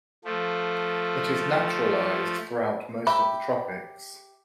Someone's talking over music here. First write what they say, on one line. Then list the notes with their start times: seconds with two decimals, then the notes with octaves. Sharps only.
It is naturalized throughout most of the tropics.
0.24 F3 A3
3.07 G4 E5 B5